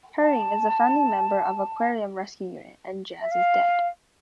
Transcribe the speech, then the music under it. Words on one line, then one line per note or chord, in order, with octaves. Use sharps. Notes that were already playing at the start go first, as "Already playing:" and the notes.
Herring is a founding member of Aquarium Rescue Unit and Jazz Is Dead.
A5
E5
F5